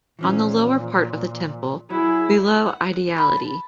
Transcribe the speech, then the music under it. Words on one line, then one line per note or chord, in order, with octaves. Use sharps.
On the lower part of the temple, below Ideality.
A#2 E3 F3 C#4
F#3 E4 G#4
F#5
B5
A5